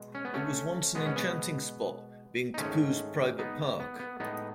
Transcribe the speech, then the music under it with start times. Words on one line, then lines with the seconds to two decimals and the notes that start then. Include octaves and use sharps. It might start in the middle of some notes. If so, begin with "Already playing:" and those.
It was once an enchanting spot, being Tipu's private park.
Already playing: B2 G#3
0.15 C#4
0.25 B3
0.34 A3 C#4
0.95 B2 G#3 B3
1.06 C#4
1.16 B3
2.54 D#4
2.58 G#2 D#3 G#3 A3 C#4
3.39 B3 D#4
3.80 B3
3.99 B3
4.20 A2 G#3 B3 D#4